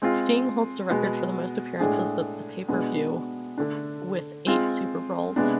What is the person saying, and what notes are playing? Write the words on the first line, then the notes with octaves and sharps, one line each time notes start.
Sting holds the record for most appearances at the pay-per-view with eight SuperBrawls.
G#3 C4 F4
B2 G#3 B3
A2 G#3 D4 G#4
B2 G#3 B3 D4
D3 A3 D4
G#3 C4 F4
C3 G#3 B3 D4